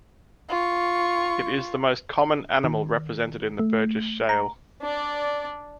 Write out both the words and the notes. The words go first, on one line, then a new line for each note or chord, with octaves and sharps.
It is the most common animal represented in the Burgess Shale.
F4 C#6
D#3
A3
A#5
D4 D5